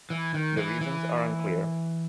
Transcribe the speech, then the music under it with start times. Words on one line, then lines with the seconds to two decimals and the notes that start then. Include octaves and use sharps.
The reasons are unclear.
0.10 E3
0.34 D#3
0.57 E3
0.81 E3